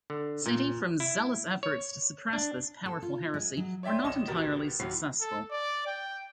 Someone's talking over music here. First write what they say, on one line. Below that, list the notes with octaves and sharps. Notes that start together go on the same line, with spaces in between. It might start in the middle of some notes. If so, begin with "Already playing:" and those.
Saint Ephrem's zealous efforts to suppress this powerful heresy were not entirely successful.
D3
A#2
E4
C#5
D4
A4
F4
G#3
F#3
C#5 D5 E5 G5 C6
A1 D#5 E7
A1 B2 G4 A#4 A6
D#2 A2 F#3 C7
A4
D5
G5